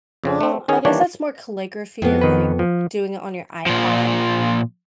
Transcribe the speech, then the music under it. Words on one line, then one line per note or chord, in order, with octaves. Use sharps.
Well, I guess that's more calligraphy of, like, doing it on your iPad,
F2 C#3 C4
A3 C4
D#3 C#4 G#4 C#5
D#3 E3 G3 A#3 D4 C#5
F2 B3
D#3 B4
F3
A#2 F3